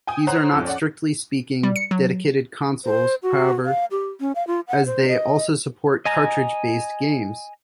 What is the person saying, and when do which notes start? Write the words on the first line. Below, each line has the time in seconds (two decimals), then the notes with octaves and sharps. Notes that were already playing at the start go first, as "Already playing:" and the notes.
These are not strictly-speaking, dedicated consoles, however, as they also support cartridge-based games.
0.07 G5 G#5 D#6
0.27 C5 C#5 F#5 A#5 F#6
0.52 F2 F3
0.65 C#4 D5 F#5
1.63 G3
1.76 C#7
1.91 F#3
2.85 C5
3.23 F#4
3.65 F5
3.91 G4
4.20 C#4
4.35 F5
4.47 F4
4.68 F#5
4.86 C5
5.08 D#5
6.05 D#5 G#5 A#5